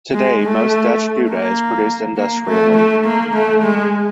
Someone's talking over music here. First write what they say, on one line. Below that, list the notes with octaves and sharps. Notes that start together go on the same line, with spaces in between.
Today, most Dutch Gouda is produced industrially.
G#3
A3
A#3
A#3
A3
A3
A#3
A3
G#3